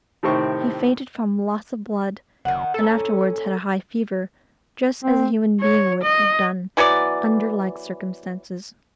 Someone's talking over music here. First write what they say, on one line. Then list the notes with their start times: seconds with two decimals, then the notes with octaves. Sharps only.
He fainted from loss of blood, and afterwards had high fever, just as a human being would have done, under like circumstances.
0.23 A2 C3 D#3 C4 C#6
2.45 F#1 D#3 F#5
2.74 A#2 C#4 A4
5.04 C4
5.61 C#5
6.02 D#5
6.77 E3 F#3 B3 D5